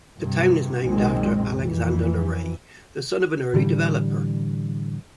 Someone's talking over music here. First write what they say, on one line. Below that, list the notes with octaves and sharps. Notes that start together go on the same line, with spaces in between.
The town is named after Alexander LeRay, the son of an early developer.
G2 C3
B1 F#2 A#2 D#3 G#3 C4
F2 E3
A2 D3 E3 G3